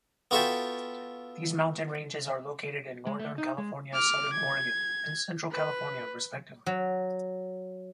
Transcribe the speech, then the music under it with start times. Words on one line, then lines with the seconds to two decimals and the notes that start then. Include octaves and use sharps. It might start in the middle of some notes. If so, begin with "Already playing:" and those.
These mountain ranges are located in northern California-southern Oregon, and central California respectively.
0.31 B3 F4 F#4 A4 E5 G5
3.07 G#3
3.19 A3
3.38 D#4
3.58 G#3
3.94 D6 F6
4.32 G#6
5.51 B4
6.66 F#3